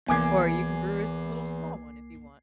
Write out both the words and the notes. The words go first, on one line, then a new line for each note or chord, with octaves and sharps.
or you can brew a s little small one, if you want.
C2 E3 A#3 B3 G#5 D6 G#6 C7